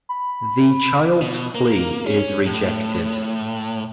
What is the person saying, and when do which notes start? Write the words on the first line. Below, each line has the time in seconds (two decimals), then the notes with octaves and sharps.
The child's plea is rejected.
0.09 B5
1.22 B2
1.55 A#3
2.06 C#4
2.46 A2